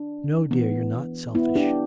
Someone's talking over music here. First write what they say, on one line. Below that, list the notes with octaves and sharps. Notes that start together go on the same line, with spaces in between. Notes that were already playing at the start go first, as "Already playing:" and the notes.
'No, dear, you're not selfish....
Already playing: D4
E3 B3
B3 E4
D4 G4